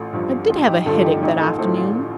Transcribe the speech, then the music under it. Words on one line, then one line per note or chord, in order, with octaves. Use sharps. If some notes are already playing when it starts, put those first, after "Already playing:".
I did have a headache that afternoon.
Already playing: A1 F4 A4
G2 F3
A1 F4
D#4 G4
G2 D3 F3 F4 A4
D#4 G4
A1 D#4 G4
F4 A4
A2 A4 C5
F3
F4